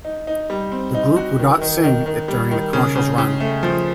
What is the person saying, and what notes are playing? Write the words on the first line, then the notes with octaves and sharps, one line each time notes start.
The group would not sing it during the commercial's run.
D#4
D#4
G3
C4
D#4
F#4
D#3
D#3
D#3
D#3
G3
D#3
C#3
C#3
C#3
A3
F3